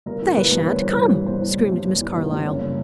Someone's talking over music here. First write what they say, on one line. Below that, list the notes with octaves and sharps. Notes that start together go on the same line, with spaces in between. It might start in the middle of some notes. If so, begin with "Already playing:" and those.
"They shan't come!" screamed Miss Carlyle.
G1 A#4
E3
G1 B4
G2
G1 C#5
C5
E3 B4
G1 C5
G2
G1 C5
E3
G1
G2
G1
E3
G1
G2
F#1 C#5
C#3